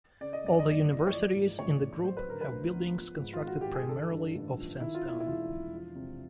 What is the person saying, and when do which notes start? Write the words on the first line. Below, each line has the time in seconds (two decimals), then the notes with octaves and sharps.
All the universities in the group have buildings constructed primarily of sandstone.
0.21 C#3 D5
0.33 D#5
0.44 F#2 D5
0.59 D#5
0.67 F#1 D5
0.90 E3
1.07 C#5
1.13 F3 D5
1.36 G#2
1.59 A1 C#5
1.82 A1
2.04 F#3 C5
2.17 B4
2.28 D3 A#4
2.41 B4
2.51 D2
2.73 B3
2.97 F3
3.20 G#2
3.33 F4
3.43 G#1 F#4
3.61 G#1 G4
3.75 G#4
3.88 D3 A4
4.11 G2
4.35 A1
4.58 F3
4.80 D#3 E4
4.94 F4
5.04 D#2 E4
5.20 E4
5.27 E1 F4
5.50 E1
5.73 F3
5.95 C3